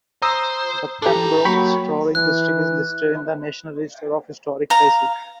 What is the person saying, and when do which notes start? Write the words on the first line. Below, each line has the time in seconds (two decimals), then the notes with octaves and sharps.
The Pembroke Historic District is listed in the National Register of Historic Places.
0.22 C5 A#5 D#6 E6
1.02 D4 G4 A4 A#5
1.45 F#3 A#3 G5 B5 C#6
2.15 E3 F#6
4.70 F5 A#5